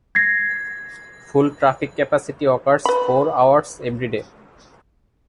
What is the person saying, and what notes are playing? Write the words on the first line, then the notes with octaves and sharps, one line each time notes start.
Full traffic capacity occurs four hours every day.
G#6 A#6 C7
B4 B5